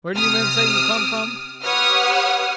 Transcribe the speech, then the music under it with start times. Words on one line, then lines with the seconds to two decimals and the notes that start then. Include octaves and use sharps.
"Where do you men say you come from!"
0.16 C3 D#6 F6
1.62 G4 B4 C#5 F#5 D#6 F6